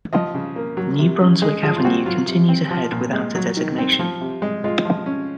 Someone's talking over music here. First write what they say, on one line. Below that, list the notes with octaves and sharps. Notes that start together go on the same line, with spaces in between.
New Brunswick Avenue continues ahead without a designation.
F3 D#5
C#3
A#3
F#3
C3
C#4
G#3 G#4
F3 G#4
F4
C4 F#4
F#3 F4
C3
C4
F3
A#2
G#3
F#3
D#3
C4
F3
C3
G#3
G#3 F4
F3
C#4